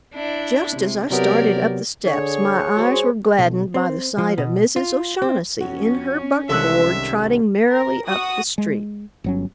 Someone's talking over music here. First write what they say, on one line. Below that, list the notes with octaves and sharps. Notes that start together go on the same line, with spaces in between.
Just as I started up the steps my eyes were gladdened by the sight of Mrs. O'Shaughnessy in her buckboard trotting merrily up the street.
D4 E4
C3
C3 F#3 B3 G4 A#4 D5
D3 G#4 C#5
G#3 F#4 C5
B1
C4
F3
B2
F4
C4
F2 C#4 F#4
C2 D#3 G#3 A4 E5 E6 F#6
A#4
F#4 D#6
G#3
G1 F#3 C#4